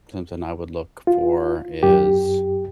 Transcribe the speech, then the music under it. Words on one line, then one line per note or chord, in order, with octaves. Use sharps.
something I would look for is
F4
F#2 G4